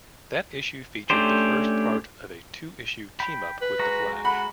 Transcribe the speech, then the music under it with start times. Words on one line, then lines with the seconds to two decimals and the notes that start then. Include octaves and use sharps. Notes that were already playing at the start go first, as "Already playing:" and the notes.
That issue featured the first part of a two-issue team-up with the Flash.
1.10 A3 C#4 D4 G4 C5
3.20 G5 B5
3.62 B4
3.79 G#3 F#4 A#5
4.25 F#5 B5